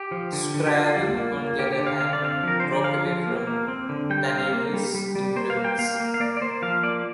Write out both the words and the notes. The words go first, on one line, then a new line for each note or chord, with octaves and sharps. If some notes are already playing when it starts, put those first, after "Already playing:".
Scriabin, on the other hand, broke away from Taneyev's influence.
Already playing: G4
F3
D3
D3
G4
D3 F4
G3
A#3
A#3
D3 G4
G4
D3
F5
D3 F5
D5
C4 F5
F3 A#4
D3 C5
D5
F3 F5
F3
A#3
A#3
C4
D3
G3 G5
F5
C4
F5
A#3
G3
G3
G3
A#3 C5
F5
A#3
G5
A#3 F5
A#3
F5
A#3 D5
D5
A#3 C5
F3 F5
A#3 D5